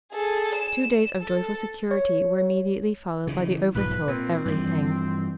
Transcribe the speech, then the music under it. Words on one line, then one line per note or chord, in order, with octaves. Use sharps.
Two days of joyful security were immediately followed by the over-throw of every thing.
G#4 A4
E7
A4
C#5
C#3 E3
B1 G#2 F3 B4
A#2 C4
G2 E3 F3